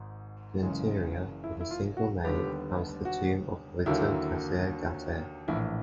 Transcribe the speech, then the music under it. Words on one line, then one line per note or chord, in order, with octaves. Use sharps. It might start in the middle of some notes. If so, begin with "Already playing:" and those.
The interior, with a single nave, houses the tomb of Ottavio Cesare Gaeta.
Already playing: G#1 G#2
F#1 F#2 C#3 E3 G#3
E4
E4
F4
F#4
D#2 D3 G3 B3 G4
F#4
D#2 D3 F#3 A#3 E4
A#1 A2 E3 E4